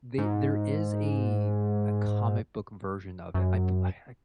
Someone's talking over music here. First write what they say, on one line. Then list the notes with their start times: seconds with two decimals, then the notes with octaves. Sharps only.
the there is a a comic book version of it. I pu I
0.18 G#2
3.34 F#2